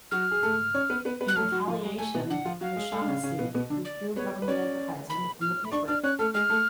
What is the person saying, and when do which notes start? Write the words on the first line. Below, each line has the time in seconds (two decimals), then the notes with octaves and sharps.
In retaliation, O'Shanassy withdrew government advertising from the paper.
0.11 F#3 F#4 F6
0.31 G#4
0.43 A3 A4
0.74 C#4 C#5
0.90 B3 B4
1.05 B3 B4
1.21 B3 B4
1.28 F#6
1.36 A3 A4 F6
1.52 F#3 F#4
1.67 F3 F4
1.83 G#3
1.98 A3 G#5
2.14 B2 B3
2.30 D3 D4 F#5
2.45 F3 F4
2.61 F#3 F#4 F5
2.76 G#3 G#4
2.92 A3 A4
3.01 D4
3.07 C#3 C#4
3.23 C#3 C#4
3.39 B2 B3
3.54 B2 B3
3.70 D3 D4
3.85 D5
4.16 B3 B4 C#5
4.42 B4
4.48 C#4 C#5 D5
5.10 B5
5.41 F6
5.65 B5
5.72 D4 D5 C#6
5.88 D4 D5 F6
6.03 C#4 C#5 F#6
6.19 A3 A4 F6
6.34 G#3 G#4 F6
6.49 A3 A4